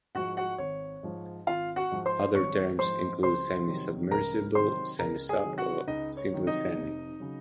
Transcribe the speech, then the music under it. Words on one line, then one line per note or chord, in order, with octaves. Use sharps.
Other terms include "semi-submersible", "semi-sub", or simply "semi".
G#2 F3 F#4 F#5
F#4 F#5
G#1 C#5
G#2 F3
G#1 F4 F5
F#4 F#5
G#2 F3
C5 C6
G#1 C#5 C#6
G#2 F3 C5 C6
C#2 C5 C6
C3 D#3 F#3
C#2 A#4 A#5
C3 D#3 F#3 C5 C6
C#2 A#4 A#5
G#4 G#5
C3 D#3 F#3
F#4 F#5
C#2 D#4 D#5
C#5
C3 D#3 F#3
D#4 D#5
F1
C#3 F#3